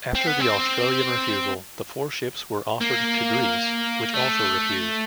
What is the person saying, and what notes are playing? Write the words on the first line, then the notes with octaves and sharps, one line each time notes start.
After the Australian refusal, the four ships were offered to Greece, which also refused.
C4
B3
C4
A#3
A3